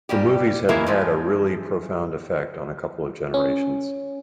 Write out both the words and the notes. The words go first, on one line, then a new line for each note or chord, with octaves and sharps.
The movies have had a really profound effect on a couple of generations.
A#2 G3 G4
E3 F#3 G#3 A#3 E4
E3 F3 G#3
C#4